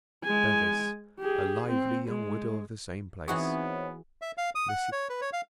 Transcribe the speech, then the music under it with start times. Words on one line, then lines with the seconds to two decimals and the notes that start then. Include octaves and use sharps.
BEVIS, a lively young widow of the same place. MRS.
0.24 G#3 G#5
1.20 G4 G#4
1.67 C4
2.09 G#3
3.28 E3 B3 C4 D#4 F#4 G#4 C#5
4.22 E5
4.38 F5
4.55 D#6
4.69 F#5
4.92 C#5
5.10 B4
5.21 C#5
5.33 F5